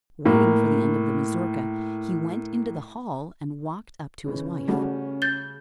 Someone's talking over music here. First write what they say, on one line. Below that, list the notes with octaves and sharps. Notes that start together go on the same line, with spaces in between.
Waiting for the end of the mazurka, he went into the hall and walked up to his wife.
A2 A#3
C#3 E3 G#3 C#4
C#3 G3 A3 F#4
G6 A6 G7